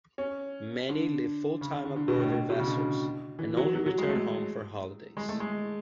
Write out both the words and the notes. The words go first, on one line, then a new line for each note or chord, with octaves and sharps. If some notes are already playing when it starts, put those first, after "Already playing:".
Many live full-time aboard their vessels and only return home for holidays.
C#4
D3
C#3
D3
D3
D3
B2
A2
A2
B2
C#3
D3
E3
F#3
F#3
F#3
G#3
A3
G#3
A3
G#3